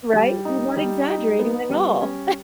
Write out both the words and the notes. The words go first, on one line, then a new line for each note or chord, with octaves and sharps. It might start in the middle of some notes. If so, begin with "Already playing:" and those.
Right? You weren't exaggerating at all.
G3
D#4
G3
D#4
B3
G3
C#4